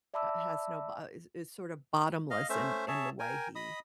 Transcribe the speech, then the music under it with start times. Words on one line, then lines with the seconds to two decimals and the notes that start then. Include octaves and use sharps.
uh, has no b uh, is is, sort of, bottomless in in the way he
0.14 D5 E5 A5 B5 D6 E6
2.31 D#5 F5
2.49 A3 C#4 C5 E5
2.88 G#4 C#5 E5 A5
3.19 A#4 G5 G#5
3.55 D#5 B5 D#6